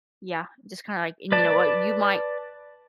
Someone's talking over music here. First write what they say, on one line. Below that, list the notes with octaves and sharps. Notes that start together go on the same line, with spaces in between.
Yeah, just kinda like and you know what? You might
B4 D5 A5